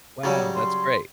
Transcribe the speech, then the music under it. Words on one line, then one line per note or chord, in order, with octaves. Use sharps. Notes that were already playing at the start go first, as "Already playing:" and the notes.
Wow, that's great.
C#3 F#3 G3 C#5
C6